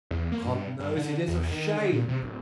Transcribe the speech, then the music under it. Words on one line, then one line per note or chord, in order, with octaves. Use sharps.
"God knows it is a shame!"
E2
A#3
G2
G2
D3
E2
D#3
D3
A#2
C3
D1